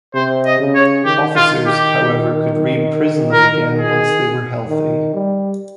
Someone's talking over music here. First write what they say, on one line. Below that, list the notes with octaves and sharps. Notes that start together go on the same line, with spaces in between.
Officers, however, could re-imprison them again once they were healthy.
C3 C5
D#5
C#3
C#5
D#3 G4
F4
G4
A#4
G#4
D#3
G3